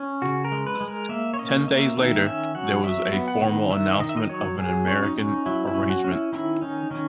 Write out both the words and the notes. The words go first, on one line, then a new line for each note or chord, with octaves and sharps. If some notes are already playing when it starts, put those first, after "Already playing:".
Ten days later, there was a formal announcement of an American Arrangement.
Already playing: C#4
C#3 F#4
A#4
G#3
B4
G#3
A#4
A#3 E5
C#5
C#4 D#5
A#3 E5
D#3 E5
C#4 E5
F#3 F#5
F#3 E5
B3
F#5
D#3
D#3 E5
D#3 D#5
E5
D#5
F#3 C#5
F#3 G#4
C#4
D#4
C#4
F#3 E4
E4
C#4
F#4
C#4
E4
D#3 E4
C#4 D#4
D#3 C#4